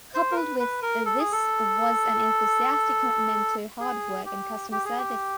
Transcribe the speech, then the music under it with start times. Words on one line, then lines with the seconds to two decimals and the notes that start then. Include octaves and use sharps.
Coupled with this was an enthusiastic commitment to hard work and customer service.
0.14 C5
0.31 A#4
0.36 B4
0.60 B4
0.82 A#4
1.05 A4
1.19 G#4
1.32 A4
3.80 G#4
4.25 G4
4.71 G4
4.85 G#4
4.98 G4